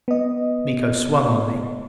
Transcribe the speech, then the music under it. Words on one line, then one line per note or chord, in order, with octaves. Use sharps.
Miko swung on me.
B3 D#5